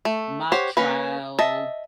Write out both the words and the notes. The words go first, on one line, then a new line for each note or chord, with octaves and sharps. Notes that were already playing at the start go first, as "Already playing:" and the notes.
mock trial,
A3
G4 C5 C#5 F#5
A#3 C#4 B4
D#5 E5 A5